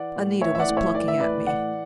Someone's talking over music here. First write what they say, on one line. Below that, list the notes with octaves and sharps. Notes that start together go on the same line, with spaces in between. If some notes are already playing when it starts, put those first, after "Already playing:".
Anita was plucking at me.
Already playing: E3 D5 F#5
A2
E3 C#5 E5
E5
D5 F#5
A2
C#5 E5
E3 D5
E5
A2 B4 D5
E3 D5 F#5